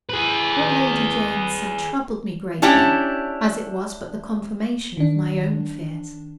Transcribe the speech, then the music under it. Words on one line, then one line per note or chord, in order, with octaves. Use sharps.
What Lady Jane said troubled me greatly, as it was but the confirmation of my own fears.
G#4 B4
C#4 D4 E4 G4 C#5 D5
D#3 D4